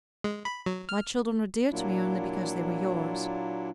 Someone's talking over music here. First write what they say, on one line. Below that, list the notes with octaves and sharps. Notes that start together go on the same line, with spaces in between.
My children were dear to me only because they were yours.
G#3
B5
F#3
F6
A#2 F#3 A#3 D4 E4 F4